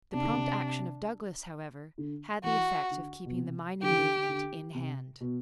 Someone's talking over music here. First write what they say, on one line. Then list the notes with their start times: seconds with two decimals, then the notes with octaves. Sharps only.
The prompt action of Douglas, however, had the effect of keeping the mining movement in hand.
0.14 C3 D4
0.24 D3
0.33 C3
1.98 D3
2.44 E3 F#4
2.90 D3
3.26 B2
3.37 C3
3.82 D3 G4
3.89 E3
3.97 D3
4.29 D3
4.75 C3
5.21 B2